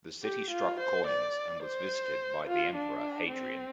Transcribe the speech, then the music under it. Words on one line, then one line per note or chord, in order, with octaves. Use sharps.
The city struck coins and was visited by the Emperor Hadrian.
G4
F4
C5
D5
C5
F4
D4
C4